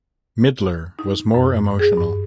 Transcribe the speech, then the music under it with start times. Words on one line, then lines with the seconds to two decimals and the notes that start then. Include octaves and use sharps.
Midler was more emotional.
0.99 D#4
1.34 F#2
1.79 G#4
1.97 G2